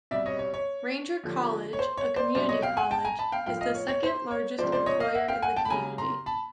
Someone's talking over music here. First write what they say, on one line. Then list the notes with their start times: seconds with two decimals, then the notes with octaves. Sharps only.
Ranger College, a community college, is the second largest employer in the community.
0.11 C2 B2 G3 D5 E5
0.26 C#5 D#5
0.39 C#5
0.54 C#5
1.23 D#2 D3 F3
1.73 C#5
1.79 C5
1.97 C#5
2.16 C5 D5
2.35 C2 B2 F#3 C5 D5
2.49 C#5 D#5
2.62 F5 G5
2.77 F#5 G#5
2.91 G5 A5
3.05 G#5 A#5
3.19 A5 B5
3.32 F5 G5
3.46 A2 F3 F5 G5
3.61 D#5 F5
3.75 C#5
3.88 C#5
4.03 C5
4.31 C#5
4.58 C#2 C3 F3 C5 D5
4.72 C5 D5
4.86 C#5 D#5
5.00 D#5 F5
5.14 E5 F#5
5.28 F5 G5
5.42 F#5 G#5
5.56 G5 A5
5.65 B5
5.70 D#2 C#3 F#3 G#5 A#5
5.98 A#5 C6
6.26 A5 B5